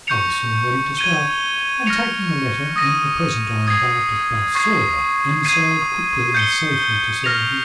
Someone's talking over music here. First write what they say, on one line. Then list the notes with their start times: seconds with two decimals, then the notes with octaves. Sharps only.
I was soon ready to start, and taking the letter and the present I embarked at Balsora, and sailed quickly and safely to Serendib.
0.07 C#6 G6 C#7 F7
0.97 G#6 D#7 G7
1.86 F6 A#6 C#7 F7
2.76 D#6 A#6 D#7
3.67 D#6 G#6 C7
4.55 C#6 G#6 C7
5.45 G#6 C7 D#7
6.34 G6 C#7 G7
7.24 F6 A#6 F7